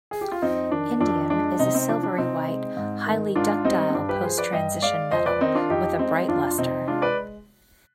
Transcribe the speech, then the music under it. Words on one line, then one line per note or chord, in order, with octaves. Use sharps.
Indium is a silvery-white, highly ductile post-transition metal with a bright luster.
G#4
G4
F4
F2 C4 D#4
D#3 D4
F2 D4
G#3 D4
C3 C4 D#4
C4 D#4
F3 D4
D4
C3 C4 D#4
G#3
G#2
D#3
G#2 D4 F4
G3 C4 D#4
C4
G2 D4
G4 B4
F3 G#4 C5
B4 D5
G2 D#5 G5
G#3 D5 F5
F2 C5 D#5
B4 D5
D#3 C4 D#4
D4 F4
F2 D#4 G4
G#3 C4 D#4
F2 D4 F4
F4
C3 C4 D#4
G#3 D4 F4
B4 D5